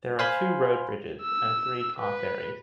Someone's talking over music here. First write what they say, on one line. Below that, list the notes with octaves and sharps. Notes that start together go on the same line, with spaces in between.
There are two road bridges and three car ferries.
C5 F5 G#5 B5 C6
E6
B4